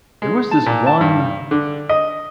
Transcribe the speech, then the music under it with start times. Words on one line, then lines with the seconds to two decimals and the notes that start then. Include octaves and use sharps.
There was this one
0.22 G#3
0.51 A5
0.66 A#2
0.87 A5
1.01 G2
1.51 D3
1.89 D#5